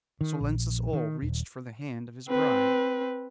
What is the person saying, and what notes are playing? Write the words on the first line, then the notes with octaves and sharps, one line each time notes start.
Salensus Oll reached for the hand of his bride.
D#3
A#1
D#3
D#1
C4 B4